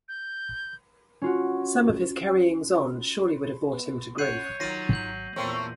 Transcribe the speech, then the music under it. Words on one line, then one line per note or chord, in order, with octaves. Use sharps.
Some of his carryings-on surely would have brought him to grief.
G6
C#4 F4 F#4
B3
C#4 C#5 F#5 F#6 G6 C7 D#7
D#3 F#3 F4 C#5 A6 A#6 C7 D#7
G#1 G6 F#7
E2 A#2 A3 A#3 C4 C#5 G5 C6